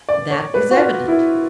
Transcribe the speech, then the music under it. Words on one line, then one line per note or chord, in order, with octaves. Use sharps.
That is evident.
D5
C#5
B4
F#4
F4
E4